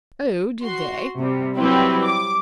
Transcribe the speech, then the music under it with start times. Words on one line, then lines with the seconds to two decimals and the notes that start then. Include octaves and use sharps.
'Oh! did they?
0.63 F#4 C6
1.18 C3 G3
1.58 F#3 G3 C4 E4 G4 B4
2.03 D6